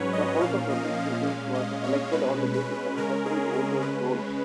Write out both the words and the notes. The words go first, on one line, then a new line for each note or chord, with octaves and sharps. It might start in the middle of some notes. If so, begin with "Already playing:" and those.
The House of Representatives was elected on the basis of separate voters' rolls.
Already playing: G#2 F#3 C#4 B4 C#5
D#5
A#2 F3 A#3 C#4 F5
D#5
D#5
A#2 G#3 C#4 F5
D#5
C#5
B2 G#3 C#4 B4
B4
C#3 G#3 C#4 A#4
G#4
A#4
C#3 G#3 C#4 B4